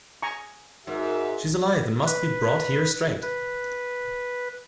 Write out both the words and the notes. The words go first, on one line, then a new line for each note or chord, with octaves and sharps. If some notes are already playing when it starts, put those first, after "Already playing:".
She's alive and must be brought here straight!
G#5 A#5 C#6
G#2 F#4 A#4 E5
B4
B4